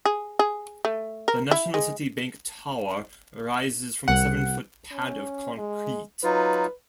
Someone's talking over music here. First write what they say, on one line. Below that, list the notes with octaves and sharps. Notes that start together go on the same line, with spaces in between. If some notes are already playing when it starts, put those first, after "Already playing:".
The National City Bank Tower rises from a seven foot pad of concrete.
G#4
G#4
A3
A#4
E4
G#3
C2 F#5
C#4
G#3
F#3 D#4 F4 B4